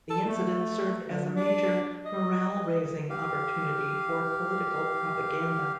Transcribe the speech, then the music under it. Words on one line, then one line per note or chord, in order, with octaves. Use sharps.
The incident served as a major morale-raising opportunity for political propaganda.
A4
A3
D3
D4
D#5
G4 F5